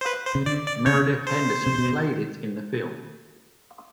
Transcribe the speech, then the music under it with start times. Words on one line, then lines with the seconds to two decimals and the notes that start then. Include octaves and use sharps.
Meredith Henderson played it in the film.
0.01 C5
0.06 B4
0.26 C5
0.35 C#3
0.46 D3 D5
0.66 D5
0.86 C#3 C#5
1.27 C5
1.66 C3
1.78 B2